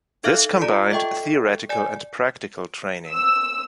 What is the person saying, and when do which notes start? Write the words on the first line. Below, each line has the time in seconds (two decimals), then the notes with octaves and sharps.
This combined theoretical and practical training.
0.24 D#4 A4 E5 F5 F6 F#6
0.61 F4 D5 A5 A#5
0.91 A4 D#5 E5 G5 C#6
1.69 D5 G#5
3.10 E6